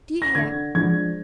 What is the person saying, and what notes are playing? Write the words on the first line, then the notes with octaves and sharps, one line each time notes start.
Do you hear?
A#6
D3 G#6
F3 G#3 D4 G#6